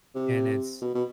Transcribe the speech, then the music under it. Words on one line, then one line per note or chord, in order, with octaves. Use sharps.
And it's
C3
B2
B2